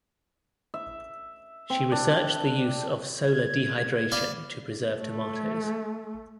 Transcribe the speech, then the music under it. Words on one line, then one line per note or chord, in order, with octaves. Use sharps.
She researched the use of solar dehydration to preserve tomatoes.
E5
C4
D4
G#6
B3 D5 F5 B5
A3